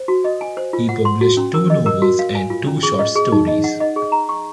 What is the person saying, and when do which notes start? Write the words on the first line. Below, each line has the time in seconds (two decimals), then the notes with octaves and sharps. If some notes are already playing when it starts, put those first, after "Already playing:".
He published two novels and two short stories.
Already playing: C5
0.08 F#4
0.24 D#5
0.41 G#5
0.57 C5
0.73 F4
0.89 F#5
1.05 C6
1.21 F#4
1.37 C#4
1.54 A#4
1.70 D#5
1.86 A#4
2.02 F#4
2.19 F5
2.35 G#5
2.50 F4
2.67 C#4
2.83 G#4
2.99 D#5
3.15 G#4
3.32 D#4
3.47 D#5
3.64 F#5
3.80 D#5
3.96 G#4
4.12 A#5
4.29 C#6